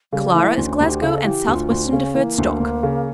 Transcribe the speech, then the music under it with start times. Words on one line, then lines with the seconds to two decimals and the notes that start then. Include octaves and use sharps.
Clara is Glasgow and South-Western Deferred Stock.
0.12 C#3 G3
0.34 E3 A3
0.57 D2 C#4
0.80 D2 G4
1.02 C#3 A4
1.24 E3 G4
1.48 D2
1.55 F4
1.70 D2
1.85 C#4
1.93 C#3
2.15 E3 A#3
2.38 D2
2.60 D2
2.83 C#3